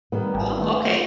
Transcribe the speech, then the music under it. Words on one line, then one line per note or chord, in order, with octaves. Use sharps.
Oh, okay.
D#3 G3 B3
G#1 G4
D#3 A3 B3
F4 C5 D#5